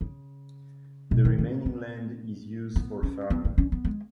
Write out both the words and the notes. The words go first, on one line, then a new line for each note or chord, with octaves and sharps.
The remaining land is used for farming.
C#3
B2
D#3
C#4
B3
B3
C#4
B3
A#3
C#4
B3
G#3